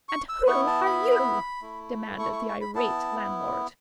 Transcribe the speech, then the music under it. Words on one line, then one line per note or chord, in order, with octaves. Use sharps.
"And who are you?" demanded the irate landlord.
C#6
E6
B3 E4 C#6
A5
B5
A3 E4
C#6
C#6
C#6
B5
B3 E4 A5